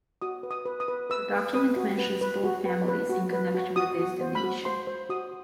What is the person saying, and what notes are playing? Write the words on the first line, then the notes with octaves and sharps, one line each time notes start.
The document mentions both families in connection with this donation.
F#4 D#6
B4
D#6
B4
D#6
B4
B4 E6
B4
B4 D#6
F#4
B4
B4
F#4
B4
B4
F#4
B4
F#4
F#4 D#6
F#4
C5
B5
F#4
C5 C6
C5
F#4 D#6